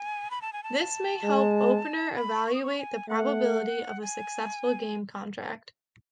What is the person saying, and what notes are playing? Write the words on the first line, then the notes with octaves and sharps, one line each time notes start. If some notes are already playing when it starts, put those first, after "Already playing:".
This may help opener evaluate the probability of a successful game contract.
Already playing: G#5
B5
A5
G#5
A5
G#3
B5
C#6
D#6
C#6
G#5
A3 F#5
G#5